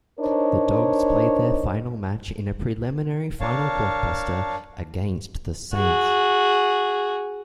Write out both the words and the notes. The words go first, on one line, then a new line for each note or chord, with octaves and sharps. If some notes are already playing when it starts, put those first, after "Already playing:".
The Dogs played their final match in a Preliminary Final blockbuster against the Saints.
D4 D#4 A#4 C5 C#5 D#5
D4 A#4 C#5 F5 A5
F#4 G#4